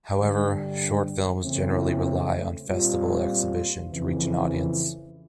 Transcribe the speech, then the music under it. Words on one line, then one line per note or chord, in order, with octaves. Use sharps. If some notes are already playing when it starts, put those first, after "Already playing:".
However, short films generally rely on festival exhibition to reach an audience.
G2 D3 G3
E2 C#3 E3 A3 C4
A#2 G3 C4 F4
F2 C#3 E3